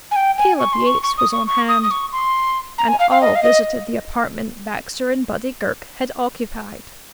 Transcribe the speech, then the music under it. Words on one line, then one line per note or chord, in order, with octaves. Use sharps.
Caleb Yates was on hand, and all visited the apartment Baxter and Buddy Girk had occupied.
G#5
G5
G#5
C#6
C6
C#6
C#6
D#6
C#6
C#6
D#6
D#6
C#6
C6
A#5
G#5
F5
F5
D#5
F5
D#5